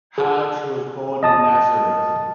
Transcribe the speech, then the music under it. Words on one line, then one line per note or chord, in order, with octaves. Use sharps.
Haj was born in Nazareth.
G#4
D#5 A5 D#6